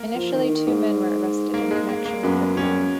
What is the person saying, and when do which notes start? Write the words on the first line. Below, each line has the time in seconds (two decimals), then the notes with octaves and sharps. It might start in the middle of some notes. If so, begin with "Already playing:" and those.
Initially, two men were arrested in connection with the crime.
Already playing: A#3
0.15 F3
0.33 D#3
0.49 D#3
0.67 G#2
1.54 A#3
1.71 G#3
1.88 A#3
2.05 A#3
2.23 F#2 B3
2.57 F#2 C#4